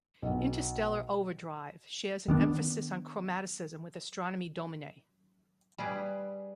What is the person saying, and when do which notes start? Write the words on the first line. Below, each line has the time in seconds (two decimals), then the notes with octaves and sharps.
"Interstellar Overdrive" shares an emphasis on chromaticism with "Astronomy Domine".
0.22 B1
2.28 D#3 B3 D4
5.78 G3 G#4 B4